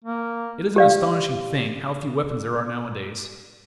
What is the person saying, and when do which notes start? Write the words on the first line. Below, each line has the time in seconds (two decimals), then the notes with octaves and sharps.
It is an astonishing thing how few weapons there are nowadays.
0.05 A#3
0.76 G4 D5 F5